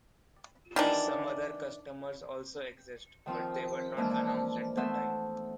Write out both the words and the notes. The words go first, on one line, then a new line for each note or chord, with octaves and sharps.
Some other customers also exist, but they were not announced at the time.
D#3 E3 D4
D#3 F3 C4 F4
E3 F3 G#3 A#3 D4
A3 B3 A4 C5 E5